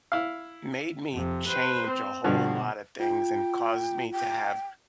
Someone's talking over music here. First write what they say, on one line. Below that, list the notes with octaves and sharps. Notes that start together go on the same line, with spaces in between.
made me change a whole lotta things and causes me to have
E4 F5
F2 C3
B4 C5
C4
G2 B2 D3 F3 F#4
F4 G5
G5